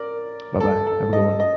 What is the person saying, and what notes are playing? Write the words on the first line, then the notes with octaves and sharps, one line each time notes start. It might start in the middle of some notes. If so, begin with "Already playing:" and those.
Bye-bye. Have a good one.
Already playing: A#4 D5
A4
A4
D#5
D#5